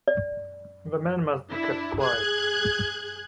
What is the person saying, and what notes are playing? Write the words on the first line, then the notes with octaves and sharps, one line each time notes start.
The man must be kept quiet.
D5
D4 E4
G#4 F#6 G#6